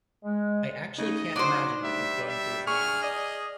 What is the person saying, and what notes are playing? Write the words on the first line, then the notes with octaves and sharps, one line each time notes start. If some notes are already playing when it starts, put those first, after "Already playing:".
I actually can't imagine what was going through his mind.
G#3
C#3 A3 D#4 D#5
F#3 D4 C5
G3 E5
E5
G#4 C#6 F6
D5 D#5 D#6